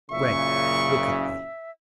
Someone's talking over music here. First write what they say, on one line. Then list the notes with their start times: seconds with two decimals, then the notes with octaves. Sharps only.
"Gregg, look at me!"
0.11 F#1 A#2 C#3 E5 C#6